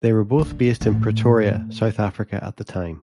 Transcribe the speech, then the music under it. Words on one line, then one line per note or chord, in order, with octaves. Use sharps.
They were both based in Pretoria, South Africa at the time.
D3
A2